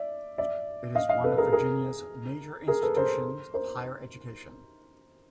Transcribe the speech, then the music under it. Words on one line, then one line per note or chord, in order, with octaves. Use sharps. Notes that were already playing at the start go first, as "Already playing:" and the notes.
It is one of Virginia's major institutions of higher education.
Already playing: D5 E5
D5 E5
D#5 F5
D#5 F5
A4 B4
G#4 A#4
G#4 A#4
G#4 A#4
A4 B4
A#4 C5
A#4 C5